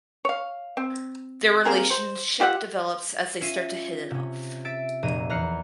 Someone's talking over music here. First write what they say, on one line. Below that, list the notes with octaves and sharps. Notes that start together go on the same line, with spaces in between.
Their relationship develops as they start to hit it off.
C#5 F5
C4
A#3 C4 G#4 A#4
C5
F4 G4 E5 F#5
C#4 F4 E5 C7 D#7 E7
C3 C#4
E5 E6 A6 D7
F1 A#2 A#5 D#7
E2 A#5 F6 F#6 C7 C#7